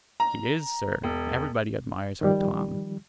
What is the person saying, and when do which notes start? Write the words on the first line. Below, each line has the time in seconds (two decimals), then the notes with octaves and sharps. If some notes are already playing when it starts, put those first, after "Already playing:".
"He is, sir; everybody admires our Tom."
0.20 A#5
1.03 E1
2.21 D#3 F3 G3